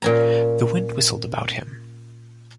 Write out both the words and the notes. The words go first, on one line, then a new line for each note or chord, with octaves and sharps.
The wind whistled about him.
A#2 C#4 A#5